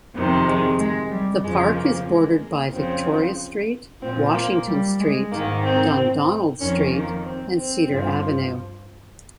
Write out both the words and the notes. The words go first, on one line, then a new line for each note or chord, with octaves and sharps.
The park is bordered by Victoria Street, Washington Street, Dundonald Street and Cedar Avenue.
F2 C3 D#3
G#3
G#3
G3
F2 C#3 F3 G#3
A#3
G#3
A#3
F2 C#3 F3 C4
A#2 F3 C4
A#3
G3
G#3
G#2 D#3 A#3
C4
F2 D#3 C#4
A#3
C4
C4
G2 F3